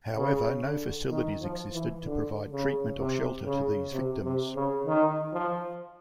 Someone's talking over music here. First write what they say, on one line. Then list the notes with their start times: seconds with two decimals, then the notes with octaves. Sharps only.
However, no facilities existed to provide treatment or shelter to these victims.
0.17 C#3
0.64 D3
1.11 D#3
1.42 F3
1.73 E3
2.05 D3
2.52 C#3
2.98 C3
3.45 C#3
3.93 C3
4.24 C3
4.56 C#3
4.87 D#3
5.33 F3